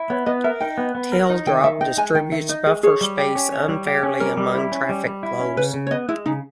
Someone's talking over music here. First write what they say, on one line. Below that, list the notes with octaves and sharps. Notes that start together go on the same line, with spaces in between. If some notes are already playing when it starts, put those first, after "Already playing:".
Tail drop distributes buffer space unfairly among traffic flows.
Already playing: E4
B3 C#5
B3 D#5
A#4 E5
D#4 G5
B3
B3
A#4
D#4
D#3 G5
D#3 E5
D#4 G5
G#3 G#5
D#3 G5
D#3 E5
D#4 D#5
G#3 G#4
G#4 C#5
G3
G4
C#4
C#5
G3
G4
C#4
G3 A#4
G3
E4
C#4
G3
G3
E4
C#4
C#3 B4
C#3
C#5
B3 D#5
G#3 E4
C#3 D#4